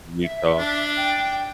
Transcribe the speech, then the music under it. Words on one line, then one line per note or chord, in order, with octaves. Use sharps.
and Utah.
E5
D4
G5